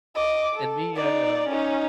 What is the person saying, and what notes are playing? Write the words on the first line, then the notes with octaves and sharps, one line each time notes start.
and me, I uh,
D#5 D6
A4
D#4 D5
C#4 D#4